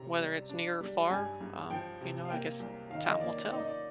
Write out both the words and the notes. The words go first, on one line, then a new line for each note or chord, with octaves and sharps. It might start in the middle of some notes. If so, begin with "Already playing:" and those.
whether it's near or far, um, you know, I guess time will tell.
Already playing: C3 A#5
G3
D4
G3
G2 G#5
G2
F3 G5
C3
F5
A#3 G5
C2
D#3 F5
D#5
A#3 D5
D5
D#4 D5
D#5
D5